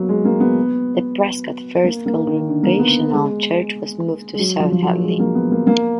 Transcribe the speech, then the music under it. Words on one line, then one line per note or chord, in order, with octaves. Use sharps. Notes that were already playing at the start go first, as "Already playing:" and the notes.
The Prescott First Congregational Church was moved to South Hadley.
Already playing: F#3 A#3 B3
G#3
A#3
B3
A#3
A#3
D#3
D3
A#3
B3
G#3
G#3
F#3
F3
F3
F#3
G#3
A#3
B3
A#3
A#3